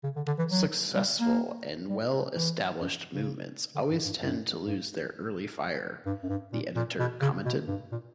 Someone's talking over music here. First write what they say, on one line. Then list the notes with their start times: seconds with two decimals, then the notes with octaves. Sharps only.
'Successful and well-established movements always tend to lose their early fire', the editor commented.
0.03 C#3
0.16 D3
0.27 D3
0.39 E3
0.50 F#3
0.96 G3
1.20 A#3
1.89 G3
2.36 E3
2.81 F#2
3.13 C#3
3.75 D3
3.90 G2
4.05 G2
4.21 F#2
4.67 G2
6.06 G2
6.23 F#2
6.29 G2
6.52 A#2
6.76 A#2
6.99 B2
7.21 C#3
7.45 B2
7.67 G2
7.92 A#2